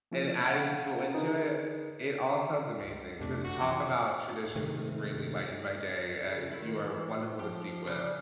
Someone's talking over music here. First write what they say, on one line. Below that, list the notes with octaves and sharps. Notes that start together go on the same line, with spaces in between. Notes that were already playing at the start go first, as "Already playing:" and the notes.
And adding people into it. It all sounds amazing. This talk about traditions has really lightened my day, uh, you are wonderful to speak with.
F3 A#3 C#4 E4
F5 F#5
D3 D#4 G#4 A#4 B4
C#2
F2 C3 A3 D4
F#1 F#4
F#2 E3 C#4
C3 D#3 G#3 A3 C4
C#3
D#3 E4
E3
C5
F3 G4
C#3 G3